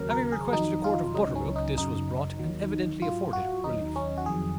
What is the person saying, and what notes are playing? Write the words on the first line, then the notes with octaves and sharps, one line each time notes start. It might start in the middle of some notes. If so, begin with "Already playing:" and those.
Having requested a quart of buttermilk this was brought and evidently afforded relief.
Already playing: D#2 C#3 F#3 A#4
A#4
G#4
F2 D#3 F#3 D#4
F4
C#2 C#3 F#3 D#4
C#4
D#4
F#2 C#3 F#3 D#4
D#2 D#3 F#3
G#2 F#3 F4
F#4
D#2 D#3 F#3 D#4
C#4
F#4
F2 D#3 F#3 G#4